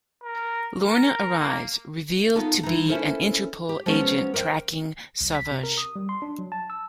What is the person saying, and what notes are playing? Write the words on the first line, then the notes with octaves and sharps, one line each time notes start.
Lorna arrives, revealed to be an Interpol agent tracking Sauvage.
A#4
A#4
A#3
B3 D#4 F4 A4 A#4
E3 G3 D#4
C#4 D4 E4 A4 A#4 C5
G4
F3 F#3 G#3 B3 C#4 F#4
A#4 C5 D5 G5
C2
B6
C3
A#4
D#6
G3
C6
D4
F#3
A5
E6